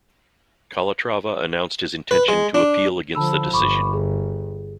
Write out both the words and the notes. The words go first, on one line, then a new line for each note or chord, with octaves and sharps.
Calatrava announced his intention to appeal against the decision.
B4
G#3
D4
D3 F3 A5 B5 E6
G1 B5 C#6 D6
G#4